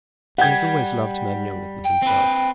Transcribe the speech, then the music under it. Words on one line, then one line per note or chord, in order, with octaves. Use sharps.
He has always loved men younger than himself.
G3 F#5 G5 G#6
G5
C4 B4